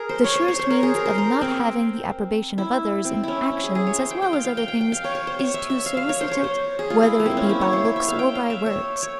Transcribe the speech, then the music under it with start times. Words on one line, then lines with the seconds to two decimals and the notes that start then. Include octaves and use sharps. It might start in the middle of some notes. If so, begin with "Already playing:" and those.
The surest means of not having the approbation of others, in actions as well as other things, is to solicit it, whether it be by looks, or by words.
Already playing: G#4 A#4
0.09 C5
0.24 C#5
0.35 C5
0.48 C#5
0.59 C5
0.71 A#4
0.83 G#4
0.95 A#4
1.06 C5
1.18 A#4
1.41 C4
2.58 E4
3.05 C4
3.23 C#4 E4
3.52 E4
3.64 G#4
3.75 G#4
3.87 C#5
3.99 C5
4.11 G5
4.22 G5
4.33 F5
4.45 F5
4.57 G5
4.68 G5
4.81 G5
4.92 F5
5.04 C#5
5.15 C#5
5.27 C5
5.39 C#5
5.54 E5
5.70 E5
5.86 F5
5.97 F5
6.09 C#5
6.21 C5
6.31 C#5
6.44 C5
6.79 G#4
6.90 F4
7.03 E4
7.20 A#3
7.26 C4
7.37 C#4
7.49 E4
7.61 C#5
7.73 C5
7.85 C#5
7.96 E5
8.08 F5
8.19 G5
8.35 F5
8.50 E5
8.66 C#5
9.03 C#5